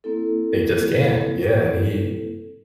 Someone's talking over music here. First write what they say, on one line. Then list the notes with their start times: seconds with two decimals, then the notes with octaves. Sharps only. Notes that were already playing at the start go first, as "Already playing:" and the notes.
It just can't, yeah, and he
0.04 A#3 C4 E4 A4